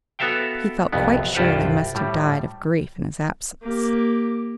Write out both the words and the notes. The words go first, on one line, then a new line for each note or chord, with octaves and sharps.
He felt quite sure they must have died of grief in his absence.
B3 F#4 A4 E5 F5 G5
C2 F2 B3
C2 G2 F4 G4 C5 F#5
A2 G3
A#3 G4